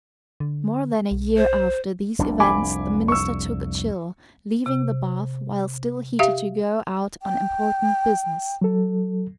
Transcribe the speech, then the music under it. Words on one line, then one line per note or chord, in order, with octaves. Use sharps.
More than a year after these events the minister took a chill, leaving the bath while still heated to go out on important business.
D3
B1
C5
F1 C2 D4
G#5 B5 D6
C#6 E6
C3
G4 E5 F5
G5
F#3 A4